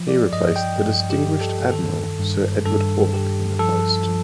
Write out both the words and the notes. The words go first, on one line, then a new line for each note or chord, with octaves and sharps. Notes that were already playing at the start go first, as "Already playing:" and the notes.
He replaced the distinguished Admiral Sir Edward Hawke in the post.
Already playing: F3
D5
G2 D#5
G5
G2
G4
G2
A4
D#3 A4
G2
G2 A4
G2 G4
F3 A4
F3